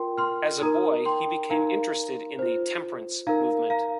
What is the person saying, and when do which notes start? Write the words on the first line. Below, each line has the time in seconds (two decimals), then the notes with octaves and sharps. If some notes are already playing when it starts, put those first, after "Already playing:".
As a boy he became interested in the temperance movement.
Already playing: F4 A#4 G5 C6
0.18 C6 F6
0.62 D#4 A#4 A#5 D#6
1.06 G5 C6
1.50 D#4 A#4 F5 A#5
2.39 F4 C5
3.27 D#4 A#4 F5 A#5
3.70 F5 A#5